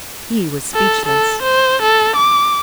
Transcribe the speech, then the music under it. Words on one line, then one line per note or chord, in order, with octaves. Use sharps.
He was speechless.
A4
A4
C5
A4
D6